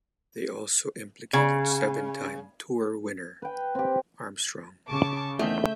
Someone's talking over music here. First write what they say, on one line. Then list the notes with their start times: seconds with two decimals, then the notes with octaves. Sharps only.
They also implicated seven-time Tour winner Armstrong.
1.33 C#3
3.42 B4 G5
3.75 C4 G4
4.88 C#3 A5 C#6 D6
5.39 E2 D#3 A3 C4 E5 G6